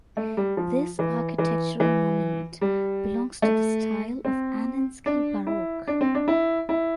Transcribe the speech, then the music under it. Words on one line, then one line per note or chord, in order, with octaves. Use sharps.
This architectural monument belongs to the style of "Anninsky Baroque".
A3
G3
F3
E3
E3
E3
G3
A3
C4
D4
E4
D4
C4
D4
E4
E4